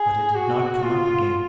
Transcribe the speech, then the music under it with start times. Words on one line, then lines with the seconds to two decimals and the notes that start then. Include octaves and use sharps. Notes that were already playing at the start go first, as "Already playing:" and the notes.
But it did not come up again.
Already playing: G#4
0.35 F#4
0.83 F4